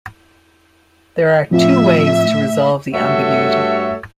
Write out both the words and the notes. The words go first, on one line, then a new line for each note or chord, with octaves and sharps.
There are two ways to resolve the ambiguity.
A2 F3 C4 F4 E5
G2 A3 F#4 A4 C#5 E5